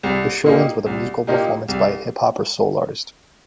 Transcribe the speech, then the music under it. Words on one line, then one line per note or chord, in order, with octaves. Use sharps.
The show ends with a musical performance by a hip hop or soul artist.
C2
A#2 A#3 D#4 G4
C2
A#2 A#3 D#4 G4
C2